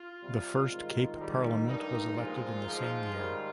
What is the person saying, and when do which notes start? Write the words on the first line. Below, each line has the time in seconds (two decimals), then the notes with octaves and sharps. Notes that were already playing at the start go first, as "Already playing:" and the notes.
The first Cape Parliament was elected in the same year.
Already playing: F4
0.20 C3 G3
0.70 G#2 D#3 G#3
1.18 G#2 D#3 G3 D#4
1.67 G2 D#3 G3 D#4
2.16 A#2 F3 G#3 F4
2.66 G#2 F3 G#3
3.14 G#2 D#3 G3